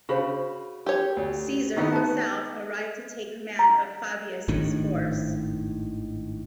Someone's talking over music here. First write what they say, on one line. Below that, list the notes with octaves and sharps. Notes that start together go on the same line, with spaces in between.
Caesar himself arrived to take command of Fabius' force.
C#3 F#4 C5 B5
G4 C#5
D2
D#3 B3 D#4 E4 F#4 D#5
B4 A5
A#5
G#1 A2 D#3 D4